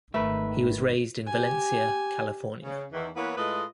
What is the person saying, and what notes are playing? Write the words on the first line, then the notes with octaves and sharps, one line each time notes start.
He was raised in Valencia, California.
G#1 D#3 A3 A#4 B4 E5
G4 G#5
C#3
E2 D#3 E3
E3 A#3 B3 E4 B4 C#5
A2 G#3 F4 A4 B4 D#5